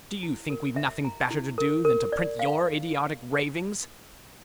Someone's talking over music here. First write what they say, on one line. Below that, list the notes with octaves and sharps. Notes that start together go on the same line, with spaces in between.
Do you think we've nothing better to do than to print your idiotic ravings?
E4
A#4
E5
A#5
E4
A#4
A#4
D5
F5